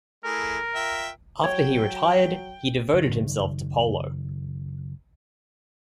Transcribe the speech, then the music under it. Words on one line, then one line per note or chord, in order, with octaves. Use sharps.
After he retired, he devoted himself to polo.
A3 E4 G#4 A#4
F4 E5 G5
F#3 C#5 G5
F#1 D#3